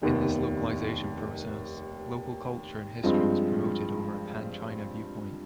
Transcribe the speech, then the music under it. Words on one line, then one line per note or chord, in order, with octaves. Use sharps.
In this localization process, local culture and history was promoted over a pan-China viewpoint.
F1 D#2 D#3 B3
G2 F3 G#3 C4